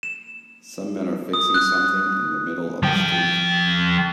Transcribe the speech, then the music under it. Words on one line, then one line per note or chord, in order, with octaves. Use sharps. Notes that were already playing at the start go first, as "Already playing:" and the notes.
Some men are fixing something in the middle of a street.
E7
D#6
F#6
F3 G5